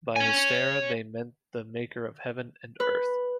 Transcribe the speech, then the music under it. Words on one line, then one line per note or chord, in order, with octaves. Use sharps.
By Hystera they meant the Maker of Heaven and Earth.
C#5 G#5
B4